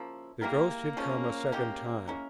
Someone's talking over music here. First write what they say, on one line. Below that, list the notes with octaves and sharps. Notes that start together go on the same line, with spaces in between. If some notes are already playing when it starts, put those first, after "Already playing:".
The ghost had come a second time.
Already playing: C#3 F3 A#3 E4
G#3 A#3 E4 G4 A#4
C#3 F3 G#3 C#4
G#3 C#4 E4 G4
G#3 C#4 E4 A#4